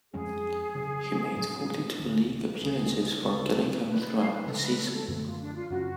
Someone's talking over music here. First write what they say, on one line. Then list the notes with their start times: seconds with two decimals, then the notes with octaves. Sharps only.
He made forty-two league appearances for Gillingham throughout the season.
0.13 F2 F3 G#3 C#4 G#4
0.75 C#3 F#3 C#4
1.36 A2 F#3 C#4
1.98 D2 D3 F#3 C#4
2.55 A4
2.60 D2 C#3 G#3 C#4 G#4
3.22 D2 C#3 G#3 A4
3.84 B2 A3 D4 B4
4.00 B4 D5
4.15 C#5 F5
4.30 B4
4.46 C#3 F3 G#3 A4
4.61 B4
4.77 A4 C#5
4.92 A4
5.08 F#2 D3 F3 A3
5.23 F4
5.38 D4
5.54 F4
5.70 F#2 C#3 F#3 C#4 F#4